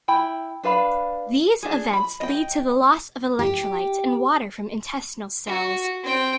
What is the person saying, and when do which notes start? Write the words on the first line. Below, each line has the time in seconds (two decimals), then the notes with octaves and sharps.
These events lead to the loss of electrolytes and water from intestinal cells.
0.08 E4 G5 B5
0.63 D4 B4 F5 B5
1.63 D4 G#4
1.93 B5
2.20 D#5 G5
3.39 G4
5.46 F#4
6.03 C4 G5